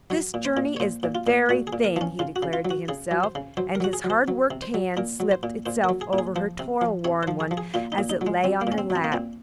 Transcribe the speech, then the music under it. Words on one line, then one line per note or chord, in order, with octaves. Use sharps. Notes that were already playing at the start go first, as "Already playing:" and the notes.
"This journey is the very thing," he declared to himself, and his hard-worked hand slipped itself over her toil-worn one as it lay on her lap.
F#3 C#5
A#2
C5
A#2
C#5
A#2 C5
A#2
F4
A#2
A#2 F#4
G#4
A#2
A#4
F3 C#4
C#3 F4
F#4
C#3
F4
F#3
F#4
C#3 G#4
F#3
C5
C#3
F#3 C5
A#4
F#3 F#4
G#4
F#3
C5
F#3
C3
C5
F#3
A#2 A#4
F#3
C5
A#2
A#2 C5
A#4
F#3
G#4
A#2
G#4
F3 C5
C3
F3
C3 C#5
F3 C5
G#4
F3
G#4
A#2 F4
D#4
A#2
D#4
F#3
G#3
F#3 C4
A#3
A#2 C#4
C4
F#3
C4
A#3
A#2 C4